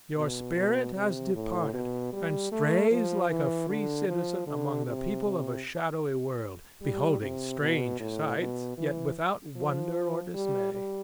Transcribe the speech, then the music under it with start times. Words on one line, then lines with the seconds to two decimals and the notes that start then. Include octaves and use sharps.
Your spirit has departed, and strays like a free citizen among the people of a shadowy world, beholding strange sights, yet without wonder or dismay.
0.17 B2
0.56 B2
0.95 C3
1.35 A2
1.74 B2
2.13 G3
2.52 A3
2.91 F3
3.30 E3
3.69 D3
4.08 F3
4.47 D3
4.87 C3
5.25 C3
6.82 G3
7.21 C3
7.61 B2
8.00 A2
8.39 B2
8.78 E3
9.56 F3
10.34 G3
10.73 G3